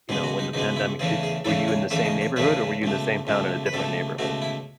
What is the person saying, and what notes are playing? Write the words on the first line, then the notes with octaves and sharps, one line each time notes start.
you know, when the pandemic did were you in the same neighborhood, or were you in the same town at a different neighborhood?
C#2 B2 G#3 B3 G#4
F#4
D#4
C#2 B2 G#3 B3 D#4
E4
E2 C#3 E3 A3 C#4 G#4
G#4
E2 C#3 E3 A3 C#4 A4
C#5
E2 C#3 E3 A3 C#4 E5
D#5
C#5
E2 C#3 E3 A3 C#4 B4
C#2 B2 A3
C#2 B2 A3
B4
C#2 B2 A3 A4
C#2 B2 A3 F#4
E4